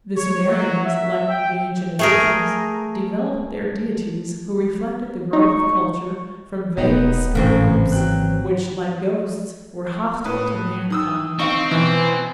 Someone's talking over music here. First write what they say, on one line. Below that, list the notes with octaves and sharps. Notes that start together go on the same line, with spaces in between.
The Sumerians, like the Ancient Egyptians, developed their deities, who reflected the growth of culture, from vague spirit groups, which, like ghosts, were hostile to mankind.
C#5
F#3
E5
G5
A3 G#4 A#4
D#4 C#6
D#1 B2 B3 D#4 G4
G#1 F#2 A2 C#3 E3 A#3 C4
F#3 G5 F#6
A2 B4 D#6
D#3 D#6 E6
C4 D#4 F5 C#6
B2 E3